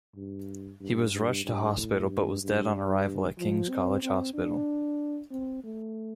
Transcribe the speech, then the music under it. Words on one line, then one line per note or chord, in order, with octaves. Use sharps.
He was rushed to hospital but was dead on arrival at King's College Hospital.
G2
G2
G2
G2
A2
G2
G2
F3
C4
C4
D4
C4
A3